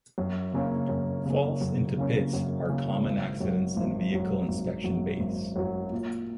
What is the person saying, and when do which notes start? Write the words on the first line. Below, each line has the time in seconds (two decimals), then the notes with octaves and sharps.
Falls into pits are common accidents in vehicle inspection bays.
0.18 F#2
0.53 C#3 A#3 C#4
0.89 F#2
1.25 C#3 A#3 C#4
1.61 F#2
1.98 C#3 A#3 C#4
2.33 F#2
2.69 C#3 A#3 C#4
3.05 G#1
3.41 F#2 F#3
3.76 G#1
4.12 F#2 F#3
4.48 G#1
4.84 F#2 F#3
5.20 G#1
5.56 F#2 F#3
5.92 A#2